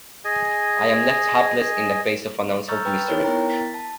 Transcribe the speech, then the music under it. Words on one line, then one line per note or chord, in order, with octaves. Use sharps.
I am left hapless in the face of an unsolved mystery.
G#4 D#5 G#5
A#5 C#6 E6 F6 G6 A6
B4 G5 B5 F6 A6
D#4 E4 A#4 C5 C#5
B3 E4 A#4 G5 A#5
A6 B6
A5